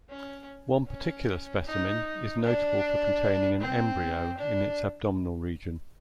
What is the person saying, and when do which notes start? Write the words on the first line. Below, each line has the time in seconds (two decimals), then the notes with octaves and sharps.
One particular specimen is notable for containing an embryo in its abdominal region.
0.10 C#4
0.87 C#4
1.66 D#4
2.43 D4
3.60 C4
4.38 D4